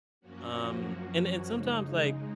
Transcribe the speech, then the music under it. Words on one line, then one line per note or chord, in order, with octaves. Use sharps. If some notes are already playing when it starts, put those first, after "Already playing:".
Um, and and sometimes, like,
F#2 F3 A#3 C#4 F#4
C#3 G#3 D#4